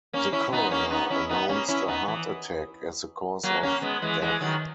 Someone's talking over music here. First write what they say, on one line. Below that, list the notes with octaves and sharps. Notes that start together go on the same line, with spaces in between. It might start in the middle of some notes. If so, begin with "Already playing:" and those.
The coroner announced a heart attack as the cause of death.
A#3 C#4
C#4 E4
B3 D#4
A#3 C#4
B3 D#4
C#4 E4
B3 D#4
A#3 C#4
C#4 E4
B3 D#4
E3
F#3 A#3
A#3 C#4
G#3 B3
E3 G#3
E3 G#3
D#3 F#3